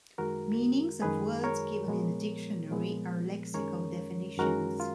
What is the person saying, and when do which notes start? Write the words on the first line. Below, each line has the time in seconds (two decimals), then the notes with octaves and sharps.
Meanings of words given in a dictionary are lexical definitions.
0.18 F#2 D#3 G#3 F#4 A#4
1.02 F#2 D#3 G#3 G#4 B4
1.44 A#4 C#5
1.86 A#2 F3 G#3 B3
2.70 A#2 F3 G#3 B3
3.54 F#2 D#3 G#3 C#4 A#4 C#5
4.38 F#2 D#3 G#3 C#4 F#4 A#4
4.80 F4